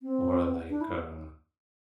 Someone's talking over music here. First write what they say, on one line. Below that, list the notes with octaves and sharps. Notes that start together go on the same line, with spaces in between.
or, like, uh,
C4
D4
E4